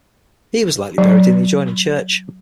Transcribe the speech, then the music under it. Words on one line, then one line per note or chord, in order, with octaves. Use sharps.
He was likely buried in the adjoining church.
F#3